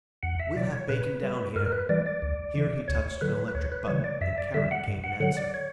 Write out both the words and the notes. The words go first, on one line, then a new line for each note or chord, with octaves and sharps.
"We'll have Bacon down here." Here he touched an electric button, and Charon came in answer.
E2 F#5
E5
B2 F#3 D5
C#5
A#2 B4
G3
G2 A#4
A#4
B4
E3 G3 D5
D5
D2
C#3 E3
D2 C#5
D3 F#3 B4
B4
D2 C#5
B4
C#3 E3 G3 C#5
D5
F#2 E5
D5
D3 G3 E5
F#5
G2
F#5
D3 F#3 F#5
D5
C#5